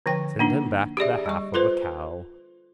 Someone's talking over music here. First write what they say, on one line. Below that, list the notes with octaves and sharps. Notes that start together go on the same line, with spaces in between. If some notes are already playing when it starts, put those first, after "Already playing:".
Send him back the half of a cow.
D3 F3 G5
A#3 D4 D#4
G4 G#4 D5 E5
G3 C#6
F4 A4 B4 C5